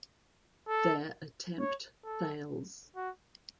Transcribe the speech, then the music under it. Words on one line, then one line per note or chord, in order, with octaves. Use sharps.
Their attempt fails.
A4
C#5
A4
F#4